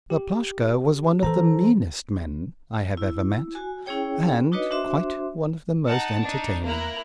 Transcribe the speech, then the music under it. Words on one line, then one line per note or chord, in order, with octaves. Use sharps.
Laploshka was one of the meanest men I have ever met, and quite one of the most entertaining.
G4
E3 D4 A4 C5 A#5
E4
F#4 G#5
C#4 E4 G#4 C#5 G5
D4 D#4 F#4 B4 C#5 D#5
D4 F#4 C5 E5 C6
D#4 F#5 A5
D4 D#4
A#3 E4 A#4 A#5 F#6